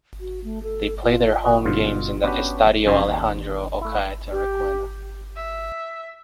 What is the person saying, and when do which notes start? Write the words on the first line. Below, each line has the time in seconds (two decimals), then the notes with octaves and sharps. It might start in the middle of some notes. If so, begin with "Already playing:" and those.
They play their home games in the Estadio Alejandro Ochaeta Requena.
0.20 F#4
0.44 A3
0.63 A4
1.03 F4
1.44 F#4 B4 D#5
1.65 G2 B2 D3 F4
2.24 B3 C#4 D4 F#4 G4 B4
2.86 F#2 C#3 C#4 D#4 C5 G#5
3.07 D#2
3.81 A3 E4
4.32 G4
5.36 E5